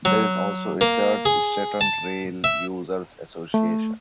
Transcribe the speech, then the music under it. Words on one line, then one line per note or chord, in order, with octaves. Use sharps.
There is also a Church Stretton Rail Users' Association.
F#3
A#3
G#4
A5
E5
A3